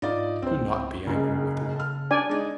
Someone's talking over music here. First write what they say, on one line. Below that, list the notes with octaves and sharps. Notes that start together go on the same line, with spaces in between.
'Do not be angry with her.
G#2 D#4 F4 D5
C#2 C4 C5
F#1 C#2 C#3
A4 F6
D4 D5 G#5
G#3 D#4